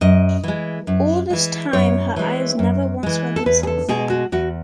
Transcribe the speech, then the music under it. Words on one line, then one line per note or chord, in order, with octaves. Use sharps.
All this time her eyes never once release him.
F#2 D#5
E3 G#3
F#2
E3 G#3
F#2 C#5
E3 G#3
F#2
E3 G#3
A4
E2 B4
G#4
A4
B2 G#3 G#4
F#4
E2 F#4